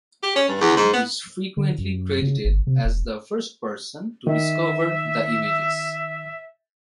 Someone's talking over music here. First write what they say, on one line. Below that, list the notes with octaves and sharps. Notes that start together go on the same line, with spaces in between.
He is frequently credited as the first person to discover the images.
G4
C#4
G2
E2
G#2
B3
D3
F#2
C#3
G1
C3
E1
D#3 E5